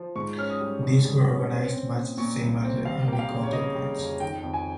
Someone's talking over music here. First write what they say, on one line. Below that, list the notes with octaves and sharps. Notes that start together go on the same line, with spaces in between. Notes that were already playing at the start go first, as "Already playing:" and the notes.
These were organized much the same as their Army counterparts.
Already playing: F3
G#2 C#6
C#4 F6
D#6
G3
G#2
G3
C#4
C4
C4
A#2
A#2 C#6
C2
C4
G3 F5
A#3 G5
F5
C#3
C#5
C#3 D#5
G3
F2
D#3 G5
F2
G#5